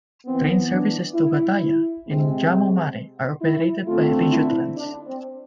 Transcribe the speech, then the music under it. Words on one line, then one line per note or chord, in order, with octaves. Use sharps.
Train services to Gataia and Jamu Mare are operated by Regiotrans.
E3 B3 C4
D4
E4
C3 G#3 C4
E4
D3 A3 C4 F4
E4
D4
C4